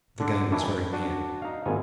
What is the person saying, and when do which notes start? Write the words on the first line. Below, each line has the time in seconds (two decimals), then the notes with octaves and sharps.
The game was very near.
0.20 D3 D4
0.52 D#3 E3 F#3 C#4 D4 E4
0.64 G5
0.93 D4 F#4
1.42 D#4 F5
1.66 G#1 D#2 G#2 B3 E4 G#5